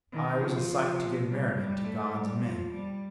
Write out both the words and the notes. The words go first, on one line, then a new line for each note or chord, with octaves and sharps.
I was a sight to give merriment to gods and men.
D#3
F3
G3
G3
A3
G3
F3
G3